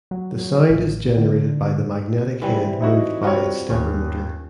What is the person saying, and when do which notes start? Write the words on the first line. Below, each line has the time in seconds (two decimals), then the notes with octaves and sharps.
The sound is generated by the magnetic head moved by its stepper motor.
0.11 F#3
0.70 A1
1.17 D3
2.42 E3 G3 C4
2.80 D#4 E4 F#4
3.23 C3 G3 F4 F#4 C#5
3.70 D#2 C#4